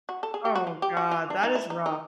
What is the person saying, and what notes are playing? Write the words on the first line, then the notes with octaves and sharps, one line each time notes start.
Oh god, that is rough.
F#4
A4
G#4
G4
F#4
F4
G4
F#4
F4
D4
D#4
E4
D#4
D#4